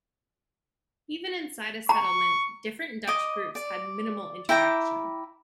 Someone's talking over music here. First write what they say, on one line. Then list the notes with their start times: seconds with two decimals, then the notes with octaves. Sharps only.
Even inside a settlement, different Dutch groups had minimal interaction.
1.89 A#5 C#6
3.07 D#5 D6
3.55 D5
4.49 E4 G5 A#5 D6